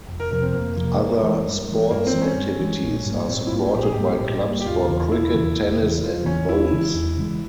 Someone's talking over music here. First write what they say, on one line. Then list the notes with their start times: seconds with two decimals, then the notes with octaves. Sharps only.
Other sports activities are supported by clubs for cricket, tennis and bowls.
0.08 F1
0.20 A#4
0.31 F2 C3 F3 A#4
0.42 C4
0.54 F1 A#3
0.76 F2 C3 F3 A#3
0.99 G2
1.23 E3 G#3
1.45 G2
1.69 E3 G#3
1.91 G2 A#3
2.07 C4
2.14 E3 G#3
2.22 C#4
2.37 G2
2.60 E3 G#3
2.83 A#1
3.06 G#2 G3 A#3
3.28 A#1 C4
3.47 E4
3.52 G#2 G3 A#3 F4
3.74 A#1 G4
3.83 G#4
3.92 G4
3.97 G#2 G3 A#3
4.19 A#1
4.42 G#2 G3 A#3
4.60 G4
4.66 E1 F4
4.88 E2 C#3 E3
5.12 E1 E4
5.34 E2 C#3 E3
5.58 E1
5.81 E2 C#3 E3
6.03 E1 F4
6.25 E2 C#3 E3 C#4
6.49 E2 E4
6.72 C#3 E3 G#3
6.94 E2
7.17 C#3 E3 G#3